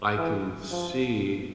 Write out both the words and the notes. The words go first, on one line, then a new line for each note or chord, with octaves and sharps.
I can see
E3
F3